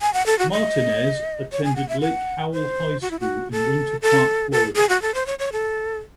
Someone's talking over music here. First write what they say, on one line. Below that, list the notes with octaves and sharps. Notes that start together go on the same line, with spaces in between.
Martinez attended Lake Howell High School in Winter Park, Florida.
G#5
F#5
A4
F#4
D#5
C#5
G#5
F#5
E5
F#5
C5
F#4
E4
F#4
A4
A4
A4
G#4
F#4
A4
C5
C#5
C#5
A4